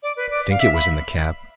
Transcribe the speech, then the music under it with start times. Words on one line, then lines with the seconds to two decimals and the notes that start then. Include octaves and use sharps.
I think it was in the cap.
0.03 D5
0.16 B4
0.31 D5
0.50 F5
0.60 E5
0.74 B5